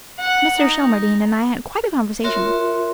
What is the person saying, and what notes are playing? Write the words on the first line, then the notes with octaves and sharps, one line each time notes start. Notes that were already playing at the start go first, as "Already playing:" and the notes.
Mr. Shelmardine and I had quite a conversation.
F#5
D#4
F4 F#4 A#4 C#5 E5 C6